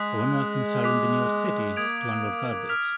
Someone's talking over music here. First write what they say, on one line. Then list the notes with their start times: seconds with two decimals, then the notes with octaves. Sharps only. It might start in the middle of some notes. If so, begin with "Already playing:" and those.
One was installed in New York City to unload garbage.
Already playing: G#3 D#6 F#6 B6
0.84 D6 F#6 B6
1.76 A#3 D#6 G#6 D7 F7
2.69 F6 B6 F7